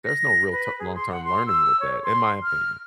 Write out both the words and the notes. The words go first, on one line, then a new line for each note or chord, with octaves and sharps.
There's no real t long-term learning with that, in my opinion.
A#6
B4
G#4
C6
F#5
C6
E6
C#5
C6
F6